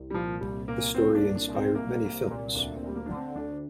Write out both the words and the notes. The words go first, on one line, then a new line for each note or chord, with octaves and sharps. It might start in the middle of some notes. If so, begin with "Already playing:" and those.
The story inspired many films.
Already playing: C2
G3
A#2 F3
C2 G3
A#2 A#3
A#2 C4
D4
C2
D4
C2
C4
C2 A#3
C2
A#2
D2 D4
C4
D2
G3
A#3
D3 D4
C4
D2 D4